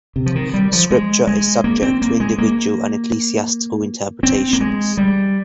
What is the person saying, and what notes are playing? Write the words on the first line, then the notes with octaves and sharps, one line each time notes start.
Scripture is subject to individual and ecclesiastical interpretations.
C3
F3
D#3
G3
F3
G#3
G#3
A#3
C4
A#3
G#3
A#3
C4
A#3
G#3
G3